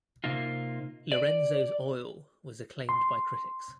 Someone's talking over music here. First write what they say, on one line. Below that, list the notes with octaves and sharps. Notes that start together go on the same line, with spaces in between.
"Lorenzo's Oil" was acclaimed by critics.
C3 A#3 D#4 F4
D5
C6